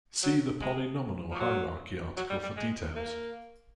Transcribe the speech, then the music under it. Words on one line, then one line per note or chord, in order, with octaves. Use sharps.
See the polynomial hierarchy article for details.
F#3
G#3
F3
F#3
F#3
G3
G3
G#3
A#3